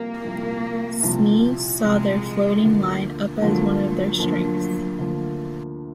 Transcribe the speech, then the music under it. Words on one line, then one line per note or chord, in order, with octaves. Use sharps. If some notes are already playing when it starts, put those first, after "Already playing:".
Sneeze saw their floating line-up as one of their strengths.
Already playing: C2 C3 F3 A#3
C2 C3 F3
C2 C3 F3
C2 C3 F3 G#3
D2 D3 F3 A#3
D2 D3 F3 F#3 A#3
F#3
D2 D3 F3 A#3
D2 D3 F3 A#3